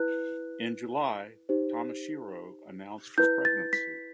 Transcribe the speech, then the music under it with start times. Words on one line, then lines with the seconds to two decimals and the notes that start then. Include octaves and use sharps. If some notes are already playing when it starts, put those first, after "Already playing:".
In July, Tamashiro announced her pregnancy.
Already playing: E4 B4 F#6
1.49 D#4 G4 C5
3.18 E4 B4 G6
3.45 A6
3.73 B6